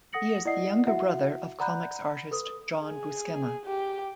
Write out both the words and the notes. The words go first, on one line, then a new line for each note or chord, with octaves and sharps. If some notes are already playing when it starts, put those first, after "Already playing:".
He is the younger brother of comics artist John Buscema.
A4 F#5 D#6 A#6 C#7 F#7
E4 D5 D#5 F#5 D#6 C7
E4 F#4 E5 F#5
D5 F#5 A#5 B5 F#6 G6
A4 B4 D#6
G#4
G4